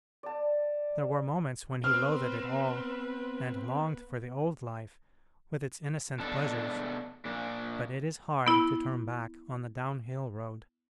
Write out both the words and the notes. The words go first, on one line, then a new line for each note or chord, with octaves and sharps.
There were moments when he loathed it all, and longed for the old life, with its innocent pleasures; but it is hard to turn back on the downhill road.
D5 A5
B3 C4 B4 F6
B2 D4 A4
A#2 D4
B3 E4